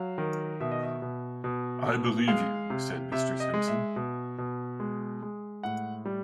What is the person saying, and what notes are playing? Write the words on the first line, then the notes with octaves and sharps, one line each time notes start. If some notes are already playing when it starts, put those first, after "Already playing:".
"I believe you," said Mr. Simpson.
Already playing: F#3 F5
D#3
B2 E5
D#5
E5
B2
B2
B2
G#3 F5
C3
C3 E5
D#5
G#3
E5
B2
B2
G#3
G#3
A2 F#5
G3